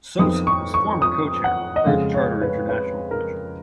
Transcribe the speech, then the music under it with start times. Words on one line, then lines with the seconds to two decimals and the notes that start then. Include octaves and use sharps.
Sosa was former Co-Chair of Earth Charter International Commission.
0.18 F2 F3 B3 D#4 D#6
0.47 C#6
0.74 C#6
1.02 D#6
1.44 F#5
1.76 D#5
1.86 F2 C#3 G#3 F5
2.14 C#5
2.42 B4
2.69 B4
3.11 A#4